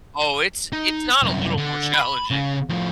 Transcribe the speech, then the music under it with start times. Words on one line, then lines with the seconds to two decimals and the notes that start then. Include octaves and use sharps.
Oh, it's it's not a little more challenging.
0.73 D#4
1.23 C2 F#2
1.58 D3
1.94 B5
2.31 C#3
2.69 A2 F3